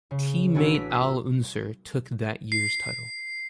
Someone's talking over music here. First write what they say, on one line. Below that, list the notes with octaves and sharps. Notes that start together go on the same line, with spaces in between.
Teammate Al Unser took that year's title.
C#3
A1 D4 F#4 G#5 E6 D7
B6
E6
C7